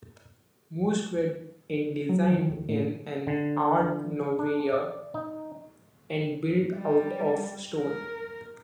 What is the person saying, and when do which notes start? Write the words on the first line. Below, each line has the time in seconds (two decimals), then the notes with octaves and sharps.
Most were in designed in an Art Nouveau and built out of stone.
2.09 F#3
2.32 D#3
2.49 D2
2.69 A2
3.27 D3
4.39 D4
4.72 D5
5.14 D#4
6.76 G3
7.77 A#4